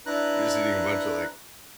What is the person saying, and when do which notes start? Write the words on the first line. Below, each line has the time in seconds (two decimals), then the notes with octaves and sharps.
you're just eating a bunch of, like,
0.06 D4 E4 B4 A#5 F#6